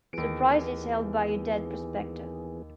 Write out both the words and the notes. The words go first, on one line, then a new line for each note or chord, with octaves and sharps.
The prize is held by a dead prospector.
D#2 E3 B3 G#4 D7